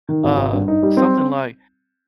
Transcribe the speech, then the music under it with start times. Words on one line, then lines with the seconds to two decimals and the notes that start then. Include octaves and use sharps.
uh, something like,
0.09 D#3
0.24 G#1
0.37 G#1
0.53 G2
0.68 D#4
0.83 G3
0.97 C4